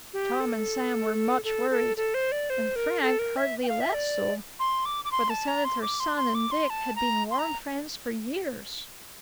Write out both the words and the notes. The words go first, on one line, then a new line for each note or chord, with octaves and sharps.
Tom and Sam were much worried and Frank hardly less so, for the senator's son and Dick had been warm friends for years.
G4
A4
A4
A4
A4
C5
D5
C5
A#4
A4
A#4
E5
G5
F5
E5
D5
C6
D6
D6
C6
A5
A#5
C6
D6
C6
C6
D6
C6
A5
A#5
C6
A#5